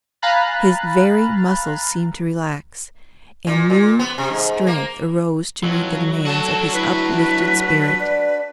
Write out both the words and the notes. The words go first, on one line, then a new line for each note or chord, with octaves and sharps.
His very muscles seemed to relax, and new strength arose to meet the demands of his uplifted spirit.
F5 G#5 A#5 B5 F#6 A6
A#2
A#2
B3
C3
G#2
A#3
F2 E3 F#3
D4 F#4 A4 A5
E4 B4
D5